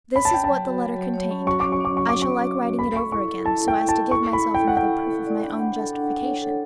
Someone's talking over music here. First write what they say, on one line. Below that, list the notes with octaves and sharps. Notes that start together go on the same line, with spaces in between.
This is what the letter contained; I shall like writing it over again, so as to give myself another proof of my own justification.
C#5 B5
A5
C#5 G5
F#3 A5
F#4
C#5
F#3
C#5
C#4
F#4 C#6
C#4 D6
C#6
C#4 D6
F#3 C#6
F#4 D6
C#6
F#3
F#4
F#4
A4 B5
A4 C#6
E4 C#6
A4
E4 A5
A4
G5
E4
A5
E4
E4 C#6
E4
B5
E4
G5
A4
F#5
E4 G5
E4
A4
D5
D4
F#5
A4
D4
F#5
C#5
A4